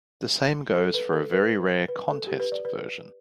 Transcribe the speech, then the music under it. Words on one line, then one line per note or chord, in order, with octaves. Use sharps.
The same goes for a very rare "contest" version.
A4
B4
A4
B4
B4
A4
G4
B4
D5
B4